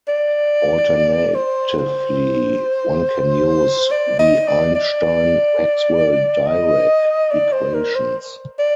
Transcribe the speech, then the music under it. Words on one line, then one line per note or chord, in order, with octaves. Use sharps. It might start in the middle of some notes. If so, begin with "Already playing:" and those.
Alternatively, one can use the Einstein-Maxwell-Dirac equations.
D5
C5
C5
D5
D#5
D5
D5
D#5
D5
C5
A#4
C5
D5